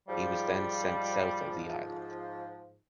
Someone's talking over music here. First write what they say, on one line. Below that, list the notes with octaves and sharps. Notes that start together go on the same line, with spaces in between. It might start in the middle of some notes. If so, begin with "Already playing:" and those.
He was then sent South of the island.
G#2 F3 G3